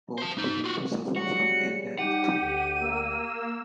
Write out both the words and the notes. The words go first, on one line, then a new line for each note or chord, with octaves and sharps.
Both begin to suffer from ill health.
C5 A5
D#4 C5
F4 F#4
C#3 G3 G#3 F#4 C#7
G3 D#4 G4 F#5 D#7
D2
A#3 E6